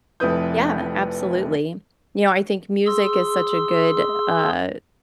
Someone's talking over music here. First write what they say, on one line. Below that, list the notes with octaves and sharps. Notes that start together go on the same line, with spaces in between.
Yeah, absolutely. You know, I think music is such a good, uh
F1 F2 E4 B4 D#6 G6
G#4 C6 E6